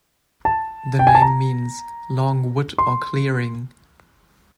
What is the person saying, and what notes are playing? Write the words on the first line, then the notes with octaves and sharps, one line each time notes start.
The name means 'long wood or clearing'.
A5
G5
G#5
A5
A#5
C6